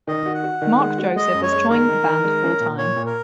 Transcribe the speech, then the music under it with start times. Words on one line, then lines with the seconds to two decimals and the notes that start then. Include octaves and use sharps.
Mark Joseph has joined the band full-time.
0.07 D#3 D#5
0.26 F#4
0.34 F#5
0.44 F#4
0.62 D#3
0.80 G#3
0.98 F#4
1.16 G#3 D#5
1.34 F#2
1.43 C#5
1.52 G#3
1.70 D#3 A#4
1.88 D#3
2.06 D#3
2.24 G#3
2.42 C#4
2.60 A#2
2.78 A#2 C#5
2.96 A#2
3.06 A#4